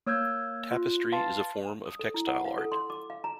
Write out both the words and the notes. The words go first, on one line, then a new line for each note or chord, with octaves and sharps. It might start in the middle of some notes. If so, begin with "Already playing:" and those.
Tapestry is a form of textile art.
A#3 C#5 E6 F6 G6 G#6
F4
B4 F5 A5 C6 A6
D#6
A4
E4
F#5
F5
A4
C6
D6
F5
A#5